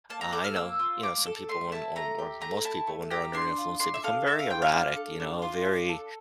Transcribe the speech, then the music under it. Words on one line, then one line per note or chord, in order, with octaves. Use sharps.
I know, you know, some people when or or most people when they're under influence, they become very erratic, you know, very
A#3 A5
A#5
A4 D6
F6
A#3 E6
F4
A#3 D6
A4
A3 C6
E4 A5
A3 A#5
G4
A3 A#5
E4 A5
A3
G4 A#5
D4 C6
F4
D4 C6
E5
A4 F5
D4 E5
F5
F4 G5
F5
D4 F5
A4
D4
F4
D4
A4